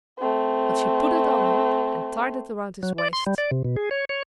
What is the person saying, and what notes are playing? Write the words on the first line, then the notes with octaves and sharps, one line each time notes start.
But she put it on him and tied it around his waist.
A3 C4
F#3
D5
C6
G3
D5
C3
B2
G#4
C#5
C#5